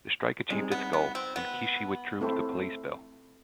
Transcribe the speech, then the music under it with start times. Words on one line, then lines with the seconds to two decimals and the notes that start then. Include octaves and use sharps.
The strike achieved its goal, and Kishi withdrew the police bill.
0.50 G3 G#3 C4 D#4 G#4
0.72 B3
0.93 B3
1.15 C4
1.36 B3
2.21 A3 C4 E4 A4 C5